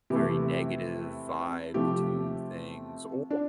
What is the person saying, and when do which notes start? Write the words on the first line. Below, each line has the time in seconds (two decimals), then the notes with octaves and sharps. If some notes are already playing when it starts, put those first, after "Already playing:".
very negative vibe to things, or
0.10 C3 E3 A3 G4
1.74 C3 F3 A3 G4
3.30 D4